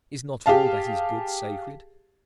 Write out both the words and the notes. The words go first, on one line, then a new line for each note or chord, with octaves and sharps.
Is not all that is good sacred?
G4 G#4 F5 A5